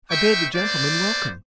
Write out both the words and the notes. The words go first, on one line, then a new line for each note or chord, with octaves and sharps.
I bade the gentlemen welcome.
D#4 B4 E5 G5 C#6
A#3 B3 C5 D5